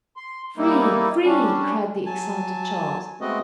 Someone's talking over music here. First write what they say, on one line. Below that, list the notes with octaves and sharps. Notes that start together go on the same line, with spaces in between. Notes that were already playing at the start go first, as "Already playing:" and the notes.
"Free! free!" cried the excited Charles.
C6
G3 A#3 D#4 E4
G3 C#4 D4
F#3 G#5 A5
G#3 A3 B3 C4 F#4 D#5